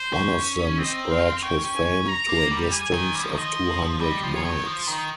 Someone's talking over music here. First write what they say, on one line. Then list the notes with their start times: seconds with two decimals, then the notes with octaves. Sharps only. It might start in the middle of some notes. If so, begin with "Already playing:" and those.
One of them spread his fame to a distance of two hundred miles.
Already playing: C5
0.13 C#4
0.78 C4 D#5
1.10 F5
1.42 C#4 G5
1.65 C#4
1.75 G#5
1.85 C#4
2.08 A#5
2.29 A#3
2.51 G3
2.72 G#5
2.93 D#3
3.15 G3
3.23 F3
3.30 D#3
3.37 F3 D#5
4.01 G3 D#5
4.23 F3
4.34 C#5
4.45 D#3
4.66 F3
4.87 D#3